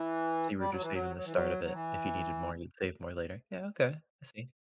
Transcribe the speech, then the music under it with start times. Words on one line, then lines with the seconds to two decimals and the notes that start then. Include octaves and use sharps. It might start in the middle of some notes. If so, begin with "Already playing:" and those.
So you were just saving the start of it, if you needed more, you'd save more later? Yeah, okay, I see.
Already playing: E3
0.59 G3
0.70 F#3
0.81 E3
0.93 F#3
1.16 F#3
1.24 E3
1.33 F#3
1.64 F#3
1.73 E3